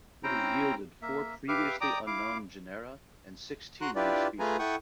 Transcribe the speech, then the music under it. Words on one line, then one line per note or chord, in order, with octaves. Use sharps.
It has yielded four previously unknown genera and sixteen new species.
C4 C#4 E4 C5 G5 A#5
A#3 E5
G4 B4 E5 F5 D6 F6
D5 G5 A#5 D6 D#6
E4 F5 D6
F#4 A#5 C6 F#6
D4 E4 F4 G4 B4 D5
A3 F4 G#4 B4 G#5 A#5
E4 A4 F#5 G5 C#6 D#6